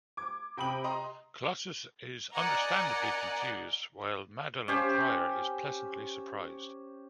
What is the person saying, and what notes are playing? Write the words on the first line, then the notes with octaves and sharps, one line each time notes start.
Colossus is understandably confused while Madelyne Pryor is pleasantly surprised.
D6 G#6
C3 G5 B5 D#6 F#7
D#5 A#5 C6 D#6
A#4 D5 D#5 F#5 G#5 A#5
C#4 G4 C5